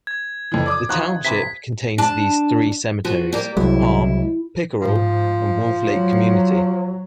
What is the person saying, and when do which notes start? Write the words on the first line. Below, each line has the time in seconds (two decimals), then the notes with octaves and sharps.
The township contains these three cemeteries: Palm, Pickerel and Wolf Lake Community.
0.07 G#6
0.52 F2 E3
0.66 D5 D6 D#6
0.89 F3 D#4 F#4 F#6
1.25 C3 E3 B6
1.98 D4 A5
3.05 F3 F#4
3.33 G3 A#3
3.57 C2 F#3 G#3 E4
4.81 G#2 F3
5.86 F#3